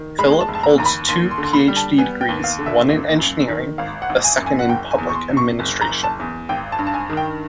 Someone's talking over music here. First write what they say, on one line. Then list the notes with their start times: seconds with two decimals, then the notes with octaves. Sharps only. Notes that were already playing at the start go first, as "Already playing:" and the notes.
Filip holds two PhD degrees, one in engineering, the second in public administration.
Already playing: D#3
0.19 G#3 B5
0.41 A5
0.48 F1
0.55 A5
0.63 A#5
0.78 D#2 A#5
0.86 B5
1.08 D#2 C6
1.31 C6
1.38 D3
1.43 C6
1.53 B5
1.68 G3
1.77 A5
1.98 B3 G#5
2.21 G5
2.29 D#2
2.44 F5
2.59 D3
2.66 E5
2.88 G#1
3.19 F#2
3.48 D#3
3.78 G#1 F5
4.02 F#5
4.09 G#1
4.24 G#5
4.38 F#2
4.46 G#5
4.59 F#5
4.69 F#1 G5
4.91 G#5
4.98 E2
5.09 C#6
5.14 C6
5.29 C3
5.37 C#6
5.59 F#1
5.81 A#5
5.89 F#1
6.04 A5
6.20 E2
6.49 G#1 G5
6.72 A5
6.79 G2
6.87 A5
6.94 G#5
7.10 D#3
7.17 G5